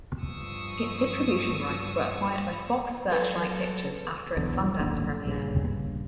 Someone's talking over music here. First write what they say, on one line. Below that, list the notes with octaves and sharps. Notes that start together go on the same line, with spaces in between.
Its distribution rights were acquired by Fox Searchlight Pictures after its Sundance premiere.
G2 F3 C#6 D#6 E6
F#3 A4 B4
B1 E2 D3
D1 G1 D#2 D3
A#1 G2 C#3